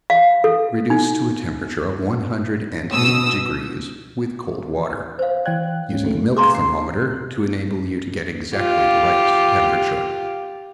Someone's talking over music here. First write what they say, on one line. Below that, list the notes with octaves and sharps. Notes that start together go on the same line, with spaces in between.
Reduce to a temperature of one hundred and eight degrees with cold water, using a milk thermometer to enable you to get exactly the right temperature.
F5
A4
D#4
B2 D#6 E6
C5 F5
E3 D5 G5 F#6
G#2 C#4
A3
G#4 F5 A#5 C6 D6
C7
F4 G4